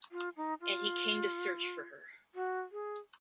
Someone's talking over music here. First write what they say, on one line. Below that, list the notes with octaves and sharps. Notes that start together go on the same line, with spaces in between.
And he came to search for her.
F4
D#4
F4
F#4
G#4